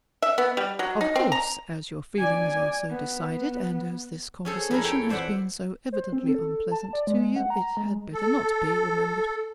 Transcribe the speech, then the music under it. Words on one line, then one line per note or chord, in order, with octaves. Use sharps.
'Of course, as your feelings are so decided, and as this conversation has been so evidently unpleasant to you, it had better not be remembered.
E5
B3
G3
F#3
D#4
C4
A#5
D5 G#5
B3
C#4 G#4 A4 C5
F2 E4 A#4
A4 C#5 G5 C6
E3 C5 D5 E5 F#5
C5
C4
A4
A5
D5
G#3
F#5
A#5
G#3
A4